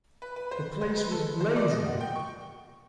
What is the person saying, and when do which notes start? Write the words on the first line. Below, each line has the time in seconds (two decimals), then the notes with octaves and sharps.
The place was blazing.
0.22 B4
0.36 B4
0.51 C5
0.81 C5
0.96 B4
1.11 A4
1.41 C5
1.56 D5
1.71 D#5
1.86 F#5
2.01 G5
2.16 C#6